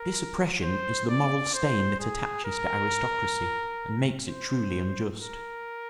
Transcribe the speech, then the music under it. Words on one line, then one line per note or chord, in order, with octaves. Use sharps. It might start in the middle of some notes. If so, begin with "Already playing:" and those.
This oppression is the moral stain that attaches to aristocracy and makes it truly unjust.
Already playing: A#4
C5
D5
C5
G#4
A#4
C5
A#4